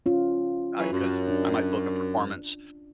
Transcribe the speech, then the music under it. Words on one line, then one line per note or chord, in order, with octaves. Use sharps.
uh, 'cause I might book a performance,
C#4 F4
C#3 E3 F#3
F#2
D4